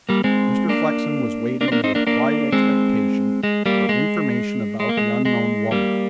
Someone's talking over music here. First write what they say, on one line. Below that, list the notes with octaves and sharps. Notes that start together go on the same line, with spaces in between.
Mr. Flexen was waiting with quiet expectation for information about the unknown woman.
G3 A#3
G#3 C4
A#3 D4
A#3 D4
C4
A#3 D4
C4 D#4
A#3 D4
A#3 D4
G#3 C4
G#3
G3 A#3
G#3
G#3
A#3
G#3
G#3
G3 A#3